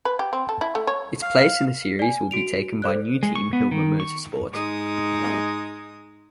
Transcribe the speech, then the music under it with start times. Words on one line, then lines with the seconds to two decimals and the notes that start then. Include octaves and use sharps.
Its place in the series will be taken by new team Hilmer Motorsport.
0.05 B4
0.19 G4
0.33 C4
0.49 A4
0.61 E4
0.75 A3
0.87 C#5
1.22 F5
1.99 D5 G#5
2.31 F#4 D7 F7
2.82 A4 C5 D5 F#6
3.23 G#3
3.36 C#6
3.53 B3
3.71 D#3
4.00 C#6
4.51 G#2 G#3 D#4 D#6